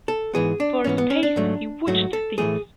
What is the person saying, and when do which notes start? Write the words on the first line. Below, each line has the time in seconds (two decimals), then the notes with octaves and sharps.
For a space he watched these.
0.08 A4
0.34 G#2 E3 B3 G#4
0.60 D4
0.84 G#2 E3 B3 C#4
0.98 B3
1.10 C#4
1.23 D4
1.36 G#2 F#3 A3
1.87 G#2 F#3 A3 F#4
2.13 A4
2.38 A2 E3 A3 G#4